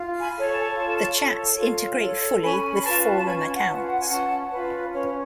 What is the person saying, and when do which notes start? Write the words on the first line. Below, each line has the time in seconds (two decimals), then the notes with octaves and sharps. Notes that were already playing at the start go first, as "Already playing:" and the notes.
The chats integrate fully with forum accounts.
Already playing: F4
0.20 G#5 B5
0.34 A4 C#5
0.48 A5 C#6
0.76 F4
1.18 A4 C#5
1.59 F4
2.01 A4 C#5
2.42 C#4 G#5 B5
2.76 B5
2.84 F4 B4 A5 C#6
3.18 A5
3.26 C#4 G#5 B5
3.53 F#5 A5
3.68 F4 B4
3.87 F#5
3.99 G#5
4.09 C#4 F#5 A5
4.51 F4 B4
4.93 C#4 C#5